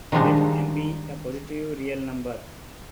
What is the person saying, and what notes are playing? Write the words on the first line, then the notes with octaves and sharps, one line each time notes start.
Let "M" be a positive real number.
D#3 F3 G3 G#3 D4 D#4